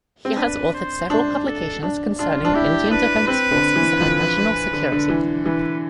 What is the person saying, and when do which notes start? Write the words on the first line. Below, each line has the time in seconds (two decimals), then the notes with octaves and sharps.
He has authored several publications concerning Indian defence forces and national security.
0.25 C4
0.37 D4 B4
0.74 C5
1.09 D4 C5
1.46 A4
1.83 D4
2.19 D4 F4
2.45 D4
2.54 E4 G4
2.91 D4 B4
3.27 C4 B4
3.51 D3
3.76 E3
4.00 F3
4.73 D3
4.92 D3
5.10 E3
5.46 E3 B4